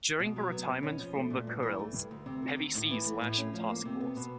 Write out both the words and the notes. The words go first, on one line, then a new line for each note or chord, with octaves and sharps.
During the retirement from the Kurils, heavy seas lashed the task force.
B2
F#3
B3
B2
C#4
F3
A3
A#2
G2
E3
A3
G2
D2
C3
D#3
D2
A2
E3
A3
A2
C#4
F3
A#3
C3
B3
B2